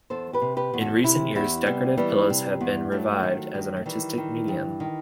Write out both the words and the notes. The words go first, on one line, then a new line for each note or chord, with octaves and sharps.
In recent years, decorative pillows have been revived as an artistic medium.
E2 A4 C5
G4 B4
C3
G4 B4
E2
F#4 A4
C3 E4 G4
E2 E4 G4
C3 G3 B3
E3 G3 B3
C3
E2
G2 F#3 A3
D#3
D#3
A3
D#3 E3 G3
D#3
G2
D#3